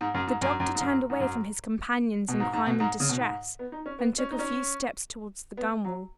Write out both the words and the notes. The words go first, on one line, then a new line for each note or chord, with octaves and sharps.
The doctor turned away from his companions in crime and distress, and took a few steps towards the gunwale.
G#2
F#2
G#2
F#2
F#2
G#2
F#2
G#2
F#2
B2
G#2
G#2
B2
G#2
C#3
B2
G#2
B3
D#4
C#4
B3
C#4
D#4
C#4
B3
F#3